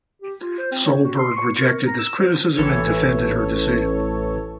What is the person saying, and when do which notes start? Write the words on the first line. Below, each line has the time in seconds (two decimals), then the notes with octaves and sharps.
Solberg rejected this criticism and defended her decision.
0.22 G4
0.42 F4
0.59 C5
0.72 C4
0.85 C#5
1.04 F#4
1.19 C6
1.36 C#6
1.61 A#4
1.87 A#5
1.99 E6
2.19 C5
2.56 A1 E3 A4 C#5